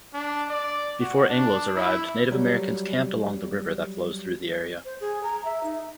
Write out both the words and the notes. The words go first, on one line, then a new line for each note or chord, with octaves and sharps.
Before Anglos arrived, Native Americans camped along the river that flows through the area.
D4
D5
F#4
D4
E4
F#3 G3
C5
G#4
A#5
E5
D#4